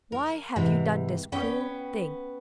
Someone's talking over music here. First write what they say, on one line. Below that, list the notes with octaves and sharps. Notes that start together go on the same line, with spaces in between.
"Why have you done this cruel thing?"
A#4
G#2 C3 E3
B3 C#4 G5